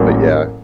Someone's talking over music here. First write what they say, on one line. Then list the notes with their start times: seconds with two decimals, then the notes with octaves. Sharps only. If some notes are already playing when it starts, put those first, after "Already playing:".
but yeah.
Already playing: A1 A2 F#3 A#3